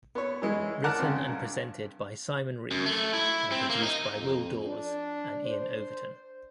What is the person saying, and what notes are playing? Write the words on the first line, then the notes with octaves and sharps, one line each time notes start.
Written and presented by Simon Reeve, and produced by Will Daws and Iain Overton.
B3 C#5
E3 G#3 E4
A#4 F#5 A5 D6 F#6
C#3 C4
G2
F#2
A3
E4
C4
A#3
D#4
F2
D4
C5